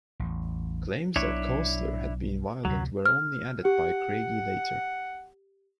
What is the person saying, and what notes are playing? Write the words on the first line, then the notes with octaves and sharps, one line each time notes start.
Claims that Koestler had been violent were only added by Craigie later.
A1 E2
B1 B2 D4 E4 C#5
D2 C3 F#3
F6
G4 F#5